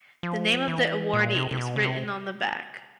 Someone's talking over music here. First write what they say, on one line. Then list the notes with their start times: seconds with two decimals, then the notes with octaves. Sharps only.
The name of the awardee is written on the back.
0.23 F3
0.68 E3
1.13 A#2
1.35 C3
1.51 C3
1.58 B2
1.76 C#3
1.80 C3